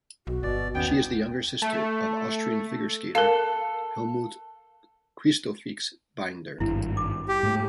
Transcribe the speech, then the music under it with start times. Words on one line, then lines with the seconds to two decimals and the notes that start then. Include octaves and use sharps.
She is the younger sister of Austrian figure skater Helmut Kristofics-Binder.
0.27 B1 F#4
0.43 G1 B2 D5
0.75 D#2 B3 C#4 G5
1.62 A3
3.15 A4 A#4 F5
6.60 G#1 G2 E4
6.97 D6
7.28 G4
7.43 G#2 A3